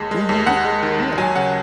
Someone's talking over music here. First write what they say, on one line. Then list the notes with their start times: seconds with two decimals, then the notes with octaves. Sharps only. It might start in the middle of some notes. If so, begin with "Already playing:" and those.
Mhm, yeah.
Already playing: D#2 G#3
0.11 G#3
0.29 D#2
0.46 D#2 F#5
0.65 G#3
0.83 D#3
1.00 D#2
1.18 F#3 G#5
1.35 C#3 F#5